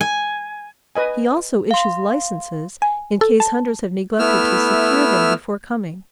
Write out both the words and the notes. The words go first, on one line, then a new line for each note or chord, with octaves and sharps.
He also issues licenses in case hunters have neglected to secure them before coming.
G#5
B4 D#5 G#5
F5 C6
G#5
A4
A5
A3 B3 E4 E6 F6